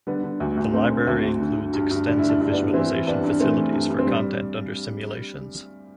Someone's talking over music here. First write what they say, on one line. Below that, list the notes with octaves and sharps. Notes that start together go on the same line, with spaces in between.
The library includes extensive visualization facilities for content under simulations.
D3 G3 B3
D3
D2
D2
D3 A3 C4
D3
D2
D2
D3
D3
G2
G2
D3 D4
E4
D3
D4
G2 E4
B3 D4
G2
E3 C4 E4
E3
G2 B3 D4
G2
E3 A3 C4
E3
G2
G2
C4
G3